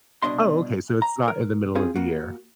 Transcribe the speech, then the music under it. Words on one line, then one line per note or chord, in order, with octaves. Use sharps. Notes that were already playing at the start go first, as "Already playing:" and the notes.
Oh, okay, so it's not in the middle of the year.
C2 B2 D4 D#5 C6
A#5
A#4
C4 F4 G#4
A#3 F#4